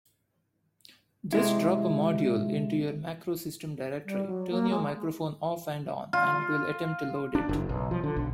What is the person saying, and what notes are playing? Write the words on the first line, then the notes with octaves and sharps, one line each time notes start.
Just drop a module into your MacroSystem directory, turn your microphone off and on, and it will attempt to load it.
C3 G#3 E4
G3
F#3
A#3
G#3
F4
D4
F#1
B1
F3
D3
B1